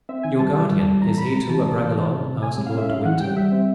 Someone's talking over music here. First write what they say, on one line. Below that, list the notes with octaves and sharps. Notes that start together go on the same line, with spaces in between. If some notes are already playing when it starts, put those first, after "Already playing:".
"Your guardian! is he, too, a Bragelonne?" asked Lord de Winter.
C4 E5
D#3 G#5
G3 A5
D#3
G3
G3
E3 A#5
C3 B5
G#3 A#5
E3 A5
C3
E3
E3
C3
C3
C3 G#5
G#3
F5
C#4 E5
G#2 F5
E3 F#5
G3 G5
G3 E5
C4